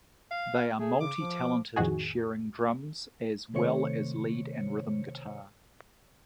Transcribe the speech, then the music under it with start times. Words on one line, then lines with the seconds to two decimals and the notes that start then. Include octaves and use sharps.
They are multi-talented, sharing drums as well as lead and rhythm guitar.
0.31 F5
0.80 A3 G#4
1.00 C#3 D6
1.18 F3
1.76 F2 A2 D#3 F#4 G#4
3.54 C3 D#3 A3 C5 C#5 C#7